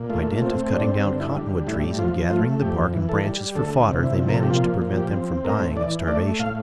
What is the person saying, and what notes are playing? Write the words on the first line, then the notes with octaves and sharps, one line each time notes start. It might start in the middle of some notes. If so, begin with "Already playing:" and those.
By dint of cutting down cottonwood trees and gathering the bark and branches for fodder, they managed to prevent them from dying of starvation.
Already playing: A#2
A3 F4
C4 F4
G2 D4
D3
E4
G3
A2 E4
F3 F4
A3 F4
F2 G4
E3
A4
G3
D2 A4
C3
E4
F3
A#4
A4
G4
A#2 F4
F3
G4
C4
A2 A#4
E3 D5
A3 D5
A2 F5